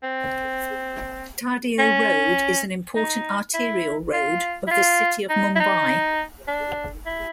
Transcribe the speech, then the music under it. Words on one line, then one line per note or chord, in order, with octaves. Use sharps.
Tardeo Road is an important arterial road of the city of Mumbai.
C4
C#4
D#4
E4
F4
E4
F4
D#4
E4
D#4
D4
E4